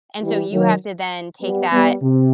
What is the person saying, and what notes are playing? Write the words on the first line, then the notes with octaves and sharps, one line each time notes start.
and so you have to then take that
E3 G3
D#3 F#3
G3 B3
G3 B3
C3